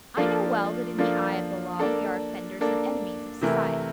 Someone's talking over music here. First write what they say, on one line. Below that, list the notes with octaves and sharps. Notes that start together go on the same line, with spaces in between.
I know well that in the eye of the law we are offenders and enemies of society.
F3 A#3 D4 F4 A4
F3 A#3 D4 F4 A4
A#3 D4 A4
A#3 D4 A4
C3 E3 A3 E4 A#4